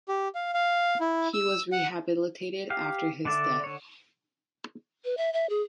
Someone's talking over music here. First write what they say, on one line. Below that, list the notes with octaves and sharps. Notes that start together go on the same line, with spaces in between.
He was rehabilitated after his death.
G4
F5
F5
E4
E6
F#5
G4 F5
D3 D4 D5 E5
D3 C#5
B4
E5
E5
G#4